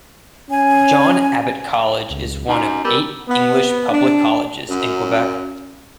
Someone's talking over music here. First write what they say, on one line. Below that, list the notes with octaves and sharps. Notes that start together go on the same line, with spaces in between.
John Abbott College is one of eight English public colleges in Quebec.
C#4 G#5
C#2
F#2 D#4
G3 B3 A#4 E6
B3
D4
F#2